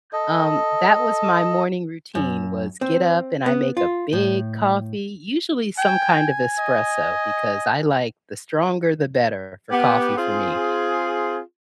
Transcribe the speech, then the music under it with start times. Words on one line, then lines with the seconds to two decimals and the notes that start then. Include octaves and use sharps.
um, that was my morning routine, was get up and I make a big coffee, usually some kind of espresso, because I like the stronger the better for coffee for me.
0.13 A4 D#5
2.15 F#2
2.81 C4
3.46 B3
3.77 F4
4.13 A2
5.78 G5 G#5
6.59 D#5
9.71 B3 G4
10.17 C4 F4 G#4